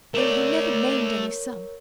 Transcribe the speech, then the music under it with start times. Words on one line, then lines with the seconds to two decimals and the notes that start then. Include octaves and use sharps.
Though he never named any sum.
0.14 A3 A#4 C#5 D5